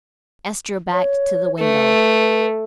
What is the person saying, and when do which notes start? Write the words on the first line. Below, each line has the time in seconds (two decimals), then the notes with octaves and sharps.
Estra backed to the window.
0.92 C#5
1.59 A3 B4